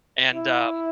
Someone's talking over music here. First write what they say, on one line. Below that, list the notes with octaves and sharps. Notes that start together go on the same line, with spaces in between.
and, um
E4